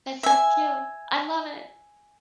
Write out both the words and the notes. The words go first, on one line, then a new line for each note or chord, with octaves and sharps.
that's so cute. I love it.
E5 G#5